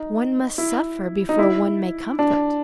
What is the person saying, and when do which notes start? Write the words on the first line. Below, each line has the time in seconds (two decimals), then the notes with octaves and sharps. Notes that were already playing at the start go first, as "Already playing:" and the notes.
One must suffer before one may comfort.
Already playing: D#4
0.58 E4
1.29 D#4
1.39 E4
2.19 D4